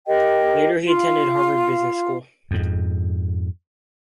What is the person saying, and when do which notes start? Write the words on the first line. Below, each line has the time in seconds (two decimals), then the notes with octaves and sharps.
Later he attended Harvard Business School.
0.07 G4 A#4 D#5 G5
0.86 F4 F5
2.51 F2 G#2